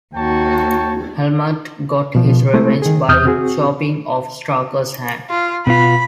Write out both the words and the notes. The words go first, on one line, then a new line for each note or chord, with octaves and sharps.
Helmut got his revenge by chopping off Strucker's hand.
D#2 F#4 C#5 G5 A5
B2 F3
G#3 A3 C4 E4
D#3 G#4
E2 C3 D#6 F6 G6
C4 F#4 G#4
F4
B2 B3 F4 B5